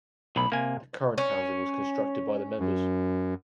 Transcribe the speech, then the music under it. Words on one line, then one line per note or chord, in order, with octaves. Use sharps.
The current housing was constructed by the members.
B1 A2 B5
C3 A#3 G#5
C#4
F#2